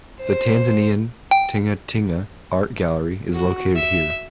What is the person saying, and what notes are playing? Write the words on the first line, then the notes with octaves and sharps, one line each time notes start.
The Tanzanian Tingatinga Art Gallery is located here.
C5
G5
F#4
E5